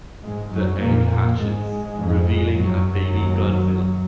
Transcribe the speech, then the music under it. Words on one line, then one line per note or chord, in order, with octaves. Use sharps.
The egg hatches, revealing a baby Godzilla.
G#2 G#3
F#2 F#3
F2 A#2 A#3
A#2 A#3
G#2 G#3
F2
F#2 F#3
D#2